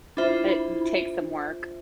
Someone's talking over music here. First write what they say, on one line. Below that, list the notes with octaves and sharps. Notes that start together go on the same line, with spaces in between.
It takes some work.
D4 E4 F4 C5 E5
E4